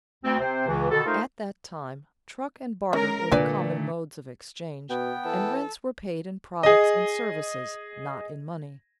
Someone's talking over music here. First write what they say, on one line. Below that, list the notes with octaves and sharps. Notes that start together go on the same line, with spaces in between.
At that time, truck and barter were the common modes of exchange, and rents were paid in products and services, not in money.
D2 C4
C3 C4 C5
C#2 C#3 E3
B2 D3 D#3 F#4 A4
A3 D#4 F4 A4 A#4 C5
G#3 C#4 A#4
A#2 D3 A3 D4 B4 D5
B2 B3 G5
E3 A4
G#4 D#5